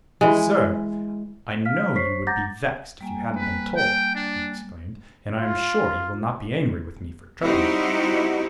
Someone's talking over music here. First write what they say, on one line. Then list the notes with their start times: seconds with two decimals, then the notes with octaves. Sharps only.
"Oh, sir, I know you would be vexed if you hadn't been told," he exclaimed, "and I am sure you will not be angry with me for troubling you."
0.21 E3 G#3
1.65 F5 F6 B6
1.94 C5 C#5 C#6 B6 C7
2.27 F#5 A#5 D6 G6 A6 A#6
3.01 G3 A#3 G#5
3.37 B4
3.76 G5
4.15 D4
5.36 F4
7.41 G3 C4 D#4 E4 F#4 G4